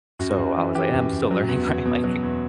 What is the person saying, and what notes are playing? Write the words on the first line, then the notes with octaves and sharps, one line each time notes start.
so I was like, "I'm still learning, right?" Like
F#2 F#4
F#2
E3
E3 G4
F#2
F#2
F#3
E2
E2
B2
F#3
E2